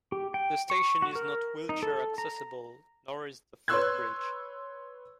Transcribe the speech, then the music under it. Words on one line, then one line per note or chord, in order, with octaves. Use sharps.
The station is not wheelchair-accessible, nor is the footbridge.
G4
G5
C#6
F#4
A#4
D#4
A4
A#5
B4 C#5 C6 E6 F#6 G#6